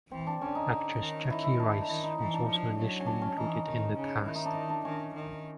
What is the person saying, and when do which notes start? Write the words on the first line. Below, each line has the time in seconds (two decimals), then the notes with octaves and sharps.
Actress Jackie Rice was also initially included in the cast.
0.12 E3 C4
0.27 D4
0.41 D3 C#4
0.55 D#4
1.00 D#3
1.30 D#3 E4
1.44 E4
1.59 D4
1.81 D#4
1.88 D#3 E4
2.03 D#4
2.18 E3 D#4
2.34 D4
2.48 F3
2.78 F#3
3.00 C#4
3.06 D4
3.22 C#4
3.37 E3 D#4
3.66 D#3
3.96 C#3
4.25 D#3 E4
4.35 D#4
4.45 D4
4.55 D#4
4.70 D4
4.84 D#3 C#4
5.14 D#3